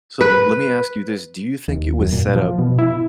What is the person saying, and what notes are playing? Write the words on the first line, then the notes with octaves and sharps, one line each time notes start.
So, let me ask you this, do you think it was set up
B4
D#2
F#2
A#2
F3
B2
E4